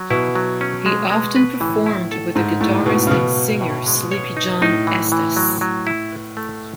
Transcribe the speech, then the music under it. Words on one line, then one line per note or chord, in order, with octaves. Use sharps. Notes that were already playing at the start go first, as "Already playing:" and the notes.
He often performed with the guitarist and singer Sleepy John Estes.
Already playing: F#3
B2 E4
F#3
C#4
G#3
G#3
B4
A2 E3
E4
A4
G#2 A3
A2 A3
B2 A3
C#3
B2 B3
F#3
A2
G#3
C#5
D#4
A2 D#4
E3
E3
F#3
F#3
E4
B4
A3